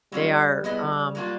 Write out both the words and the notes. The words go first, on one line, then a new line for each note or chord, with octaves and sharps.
They are, um,
F#3 G3 A#3 C#4 F4
G3 B3 E4 G#4 B4 D#5
F#3 A#3 D4 F4